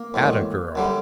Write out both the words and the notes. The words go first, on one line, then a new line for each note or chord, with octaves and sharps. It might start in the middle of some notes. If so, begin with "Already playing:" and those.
Atta girl!
Already playing: A#3
A1 G#2 D#3
F#2 D3 G3